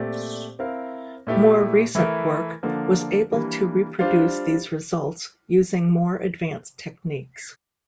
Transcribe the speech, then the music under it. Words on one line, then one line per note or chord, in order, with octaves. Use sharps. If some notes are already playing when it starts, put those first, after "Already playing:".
More recent work was able to reproduce these results using more advanced techniques.
Already playing: A#2 A3 C4 G4 D5
C4 E4 A#4 F5
A#2 A3 E4 G4
E3 A3 E4 A#4
D3 F3 A#3 D4 A4
E3 G3 A#3 D4
G3 D4 F4 C5 F5